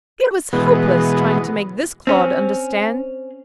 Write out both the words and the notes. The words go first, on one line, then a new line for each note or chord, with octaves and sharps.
It was hopeless trying to make this clod understand.
B2 E3 G#3 B3
C4 C#4